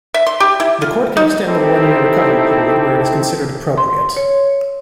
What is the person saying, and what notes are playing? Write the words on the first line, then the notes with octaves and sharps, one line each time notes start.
The court can extend the one-year recovery period where it is considered appropriate.
E5
C6
G4
E4
F4
D#4
C4 D#4 E4 G4 A4
C6
C#5